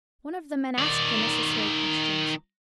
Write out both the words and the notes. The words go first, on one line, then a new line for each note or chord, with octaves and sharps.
One of the men asked the necessary questions.
D#3 D5